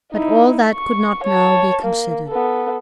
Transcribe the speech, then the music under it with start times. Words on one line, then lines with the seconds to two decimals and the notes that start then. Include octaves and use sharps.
But all that could not now be considered.
0.12 D#4 E4
0.74 C#6
1.24 C#5 A5
1.82 A#3
2.28 B3 A4